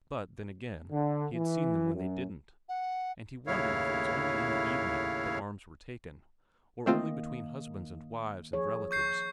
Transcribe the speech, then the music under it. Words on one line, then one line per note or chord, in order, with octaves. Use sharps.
But then, again, he had seen them when they didn't; and he wondered if it was only in the evening that arms were taken, or only between husbands and wives and relatives.
D3
E3
F#2
F#5
D#2 A2 C#3 E4 C#5 F5
D#3 A3 A#3 C4 F4 D#5
F3 G#4 C#5
C#6 G6 C7